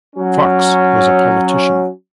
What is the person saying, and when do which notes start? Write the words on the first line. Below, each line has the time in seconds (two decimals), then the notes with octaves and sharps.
Fox was a politician.
0.15 F#3 C#4